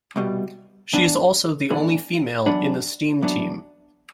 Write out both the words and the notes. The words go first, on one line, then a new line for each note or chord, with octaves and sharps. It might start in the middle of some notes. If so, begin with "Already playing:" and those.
She is also the only female in the Steam Team.
C2 B2 G3
A2 E3 B3 D4
A2 E3 B3 D4
F#2 E3 B3 D4
F#2 E3 B3 D4